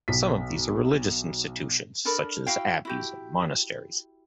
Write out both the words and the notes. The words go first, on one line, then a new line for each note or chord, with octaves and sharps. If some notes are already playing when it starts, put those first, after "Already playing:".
Some of these are religious institutions such as abbeys and monasteries.
B1 B6
D4 A4 A#4 B5
E4 F#4 F5 G5
E4 F#4 G4